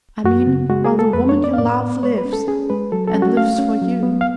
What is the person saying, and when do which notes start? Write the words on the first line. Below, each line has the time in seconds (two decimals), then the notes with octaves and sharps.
I mean while the woman you love lives, and lives for you.
0.24 F#2 F#4
0.47 C#3
0.70 G#3 F#4
0.85 G#4
0.92 G#3
0.99 A4
1.13 F2 B4
1.29 C#5
1.36 B3
1.44 D5
1.53 F5
1.58 A2 D5
1.81 B3
2.03 G#3 C#5
2.18 B4
2.25 C#4
2.33 A4
2.47 C#4 G#4
2.70 G#3 B4
2.92 F#3 A4
3.07 A4
3.14 C#4
3.22 F#4
3.37 A3 F5
3.59 C#4
3.82 F#3
4.03 B3
4.21 F5